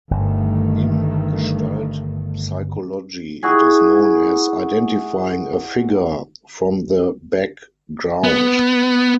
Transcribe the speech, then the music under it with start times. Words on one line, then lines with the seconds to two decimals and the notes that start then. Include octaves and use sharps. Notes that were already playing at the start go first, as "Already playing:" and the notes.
In Gestalt psychology it is known as identifying a "figure" from the back"ground".
0.11 G1 G2 D#3 A3
3.43 E4 F#4 G#4
8.24 B3